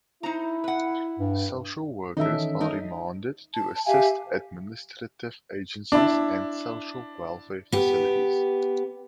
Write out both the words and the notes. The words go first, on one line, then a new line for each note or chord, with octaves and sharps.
Social workers are remanded to assist administrative agencies and social welfare facilities.
D#4 E4 C5 A#5
B4 F#5
G2
D#3 E3 C#4 D#4 A4 A#4 E5
D#4 A#4
A5
G4 E5 F5 G#5
D4 E4
B3 G4